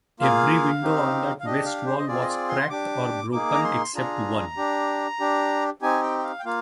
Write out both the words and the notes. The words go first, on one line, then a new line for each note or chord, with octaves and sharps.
Every window on that west wall was cracked or broken except one.
A#3 F4 G#4 F5
C4 D#4 G4
F5
D4 G4 D#5
F5
C5
D#5
C4 F4 G#4 D5
D#5
D5
C6
D4 G4 D6
A#3 D#4 G#4 D6
A#5
C6
D4 F4 G#4 A#5
D4 G4
D4 G4
C4 D#4 G4 G#5
G5
G5
F5
G5
A#3 F4 F5